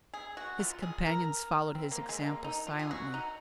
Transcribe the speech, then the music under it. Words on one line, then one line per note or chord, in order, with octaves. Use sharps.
His companions followed his example silently.
G#4
F#4
F4
G#4
A#4
C4
A#3
G#3
A#3
D#4
F4
G#4
F#4
D#4